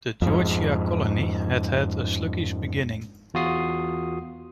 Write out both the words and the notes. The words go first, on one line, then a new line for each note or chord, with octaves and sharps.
The Georgia colony had had a sluggish beginning.
F2 G#2
E2 F4 F#4 D#6 C7